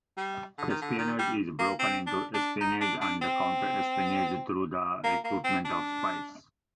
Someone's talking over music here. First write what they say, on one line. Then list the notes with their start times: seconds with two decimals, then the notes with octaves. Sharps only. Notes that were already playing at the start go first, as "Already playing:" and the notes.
Espionage is broken into espionage and counter-espionage through the recruitment of spies.
0.17 G3
0.58 D3
0.70 D#3
0.82 D3
0.98 D#3
1.19 G3
1.59 A#3
1.79 C4
2.07 D4
2.34 D4
2.61 D#4
2.81 D4
3.01 D4
3.22 C4
5.04 A#3
5.24 A#3
5.44 C4
5.65 D4